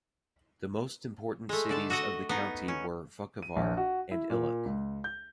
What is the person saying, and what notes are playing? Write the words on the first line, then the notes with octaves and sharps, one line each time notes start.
The most important cities of the county were Vukovar and Ilok.
G#3 A3
D3 D5 A5
F#4 A4 D#5 F#5
B3 D#4
C#4
D#7
A#1
F#4
E4
A#2
C#2
G6